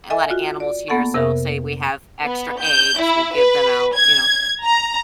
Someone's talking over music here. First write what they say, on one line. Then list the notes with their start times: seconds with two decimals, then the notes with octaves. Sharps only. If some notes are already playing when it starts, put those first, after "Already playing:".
a lotta animals here, so say we have extra eggs, we'll give them out, you know?
0.10 A4 D#5 E5 G#5
0.30 F4 F#4
0.60 D5
0.88 A#3 B3 A4 F#5 A5 C#6
1.14 F2 C3 A#4 E5
2.24 B3
2.61 G6
3.00 E4
3.34 B4
3.95 G#6
4.64 A#5